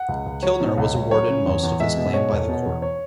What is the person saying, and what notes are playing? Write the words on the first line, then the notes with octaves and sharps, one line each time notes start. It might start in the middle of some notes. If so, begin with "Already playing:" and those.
Kilner was awarded most of his claim by the Court.
Already playing: F#5
C#2
C#2
F#3 C#5
B2
C#2
C#2
F#3 C#5
C#3
E2
E2
G#3 E5
B2
G#3 C#5
E1
B2
E2
C#5